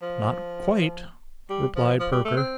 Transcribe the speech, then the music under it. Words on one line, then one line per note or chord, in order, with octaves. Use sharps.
'Not quite,' replied Perker.
F3
G3
F3
F3
G3
A3
C4